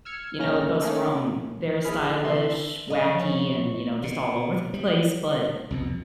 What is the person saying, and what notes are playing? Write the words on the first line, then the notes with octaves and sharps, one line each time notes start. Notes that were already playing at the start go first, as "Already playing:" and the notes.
you know, it goes from very stylish, wacky, and, you know, just all over the place, but
E6 F6 G#6 C#7
B1 C#3 A#3 C#4 F6 A#6
D#3 A3 A#3 C#4
A#1 E4 G#4 B5 F6
C3 E3 A3 C6 E6
A#4 D#5
F3
C#5
B2
G3
C2 F2 B2